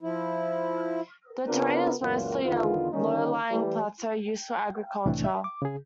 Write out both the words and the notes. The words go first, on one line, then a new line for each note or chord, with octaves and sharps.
The terrain is mostly a low-lying plateau used for agriculture.
F3 E4
C#3 B3 C4 D4 F4 A#4
C#2 F#2 A#2 E3 A#3 F4
E2 D3 D#3 B3 F4
D3 D#3 G3 A#3 C#4 D#4
E3 G3 A3
C2 A2 C3 E3 A3 D4
E5
D6
C#3 G#4